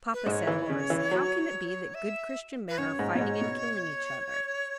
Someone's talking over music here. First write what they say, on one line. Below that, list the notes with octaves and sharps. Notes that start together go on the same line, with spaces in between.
"Papa," said Horace, "how can it be that good Christian men are fighting and killing each other?"
B4
G#2 E5
C#5
E3
C#3
E3
F#3
E5
B4
F#2 C#5
G#2
B2
G#2
B2